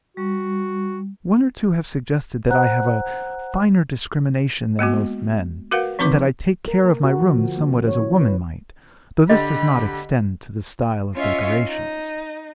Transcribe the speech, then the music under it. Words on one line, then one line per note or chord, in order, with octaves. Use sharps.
One or two have suggested that I have a finer discrimination than most men, and that I take care of my rooms somewhat as a woman might, though this does not extend to the style of decorations.
G3 F#4
C5 F#5 A#5 F#6
G#3 A#3 B3 F#4
F#4 A#4 B4 F5 F#5
F3 C4 D#4 B4 D6
A#4
A#3
F#4
F3
D3
A#3
C#4
C#5
E4
B4
D3 G4 D#5 B5
C#4 F4 C#5 D#5 E5
D#4